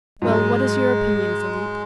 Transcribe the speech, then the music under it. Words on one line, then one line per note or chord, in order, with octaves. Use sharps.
"Well, what is your opinion, Philip?"
G#2 F#3 G#3